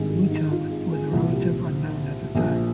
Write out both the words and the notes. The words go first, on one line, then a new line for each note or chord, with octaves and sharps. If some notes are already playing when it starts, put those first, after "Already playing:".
Whetung was a relative unknown at the time.
Already playing: G#1 G2 D#3 G#4
G4
D#4
F4
G#4
G#4
C2 A#2 F3 G4
G4
A#1 A#2 F3